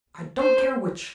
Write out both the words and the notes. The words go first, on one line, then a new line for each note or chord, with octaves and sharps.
I don't care which.
C5